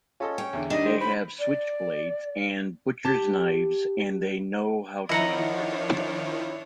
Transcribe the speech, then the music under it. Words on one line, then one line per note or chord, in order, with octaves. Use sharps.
They have switchblades and butchers knives and they know how to use them.
C#4 F4 A4 D#5
C#5 G5
E2 D3
D#3 G3 D4 D#5
C5
C5 B5
D5
G4 A5
D#3 F3 D4 E4 C#5 D#5 F#5 A#5